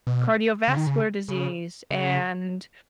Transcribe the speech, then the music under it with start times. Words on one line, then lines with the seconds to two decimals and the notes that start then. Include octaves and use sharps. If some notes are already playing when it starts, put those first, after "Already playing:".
cardiovascular disease and
0.07 B2
0.68 C#3
0.77 D#3
0.87 C#3
1.28 C#3
1.91 C#3